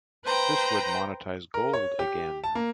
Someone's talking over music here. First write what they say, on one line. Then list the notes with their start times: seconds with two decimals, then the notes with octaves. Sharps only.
This would monetize gold again.
0.24 B4 C5 G5 A#5
1.54 A#4
1.73 C#5
1.99 G4
2.44 A5
2.55 A#3